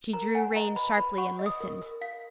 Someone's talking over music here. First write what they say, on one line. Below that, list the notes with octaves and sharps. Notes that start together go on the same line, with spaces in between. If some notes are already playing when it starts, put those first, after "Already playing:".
She drew rein sharply and listened.
A#4 A#5
F#5 G#5
D#5 A#5
B4 B5
B4 B5
F#5 C#6
D#5
D#6
A#4
A#4
F5 B6